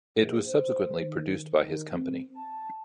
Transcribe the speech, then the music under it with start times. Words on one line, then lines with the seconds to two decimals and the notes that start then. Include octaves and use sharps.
It was subsequently produced by his company.
0.16 A#1
0.47 C5
0.99 D#3
1.53 D#3
1.92 C4
2.36 A5